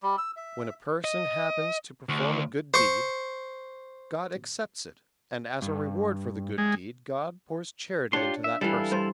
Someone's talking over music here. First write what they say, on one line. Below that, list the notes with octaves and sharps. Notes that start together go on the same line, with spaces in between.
When a person happens to perform a good deed, God accepts it and as a reward for the good deed God pours charity into that person.
G3
E6
E5
D#5
D2
C5 C#6
G2
G#3
D4 F4 G4 C#5 C6
E5
E3 G3 E4 A4 F5
G2 C5